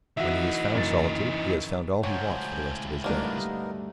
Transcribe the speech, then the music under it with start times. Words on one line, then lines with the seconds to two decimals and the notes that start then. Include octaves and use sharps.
When he has found solitude, he has found all he wants for the rest of his days.
0.17 E3 D#4 F#4 E5
0.74 F#1 F#2 A6
2.03 C#2 A2 F#3 C5 G5 G#5
3.04 D2 G2 A#3 B3 D4 D#4 A#4 D#5